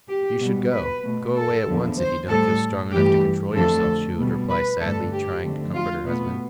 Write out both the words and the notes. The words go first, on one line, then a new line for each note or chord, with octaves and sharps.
"You should go, go away at once, if you don't feel strong enough to control yourself," she would reply sadly, trying to comfort her husband.
G4
B2 G3
B4
B2 A3
A4
E2 D3 F3
C5
A2 G3 A4
G2 E3 A3 G4
F2 D3 F3 A3 A4
B2 G3
B4
G2 D3 A3 A4
G4
F2 D3 A3
F4
B2 A3 B3